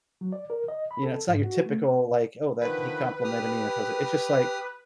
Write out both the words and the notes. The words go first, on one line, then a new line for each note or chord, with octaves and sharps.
you know, it's not your typical, like, "Oh, that he complimented me, and it feels like" it's just, like,
F#3
D5
A#4
D#5
B5
A4
G#2
F#4
A3
D3 D#3 F3 B4
G4 D#6 F6